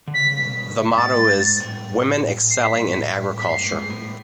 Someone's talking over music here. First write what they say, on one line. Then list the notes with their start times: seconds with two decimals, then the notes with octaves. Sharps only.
The motto is "Women Excelling in Agriculture".
0.07 D3
0.14 C#3 B6
0.42 B2
0.97 A2 A6
1.19 G#2
1.40 G#2
1.60 A2
2.51 C7
2.64 B6
3.39 B6
3.48 G2 C7
3.69 G#2
3.90 A2